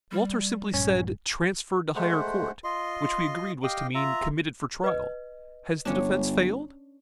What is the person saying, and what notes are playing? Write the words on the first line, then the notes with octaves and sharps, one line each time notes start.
Walter simply said 'Transferred to higher court,' which we agreed was to mean, 'Committed for trial.' Has the defence failed?
G3
A#1 G2 C#4
G#3 A3 C5 F#5
F4 D#5 C6
G4 D#5 F5 G5
F4 E5 A#5
B4 D#5
G1 C#4 D4